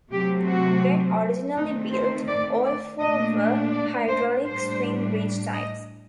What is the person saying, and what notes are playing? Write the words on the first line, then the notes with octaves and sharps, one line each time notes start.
When originally built, all four were hydraulic swing bridge types.
C3 F#3 A3 C4 G4
F#4
D#3 A3 C4 D#4
C5
D5
D5
A#2 A3 D4 D#5
D5
C5
A2 G3 D4 C5
D#5